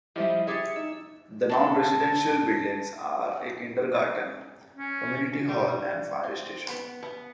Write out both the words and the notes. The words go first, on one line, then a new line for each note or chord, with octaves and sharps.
The non-residential buildings are a kindergarten, Community Hall and Fire Station.
F3 G3 E4 G4 C5 D#5 E5
G4 G#4 E5 G#6 A6 C#7
D#4 E6
D4 D#4 A4
C#4
G3
C4
B3
B3